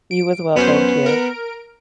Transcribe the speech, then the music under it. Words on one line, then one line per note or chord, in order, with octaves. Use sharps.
You as well, thank you.
D7
F#2 B3 C#4 C5
A#4 D7